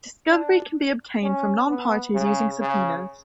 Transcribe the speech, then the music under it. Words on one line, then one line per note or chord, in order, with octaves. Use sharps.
Discovery can be obtained from non-parties using subpoenas.
D4
C#4
B3
C#3
C#3